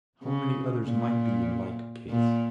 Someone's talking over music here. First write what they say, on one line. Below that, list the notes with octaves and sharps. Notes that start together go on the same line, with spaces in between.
How many others might be in like case!
C#3
A#2
A#2